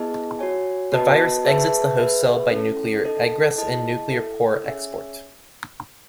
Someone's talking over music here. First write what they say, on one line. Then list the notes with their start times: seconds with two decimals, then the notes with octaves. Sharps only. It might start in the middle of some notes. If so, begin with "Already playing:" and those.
The virus exits the host cell by nuclear egress, and nuclear pore export.
Already playing: B3 E4 G#4 D#5 A5
0.39 F#4 C#5 G#5
0.92 B3 F#4 B4 D#5 A5
1.45 G#4 B4 E5 A5
1.98 G#4 B4 E5
2.51 C#4 E4 A4
3.04 D#4 A4 D#5 A5
3.58 E4 G#4 D#5 A5
4.10 E4 A4 E5
4.64 C#4 G#4 C#5 E5 G#5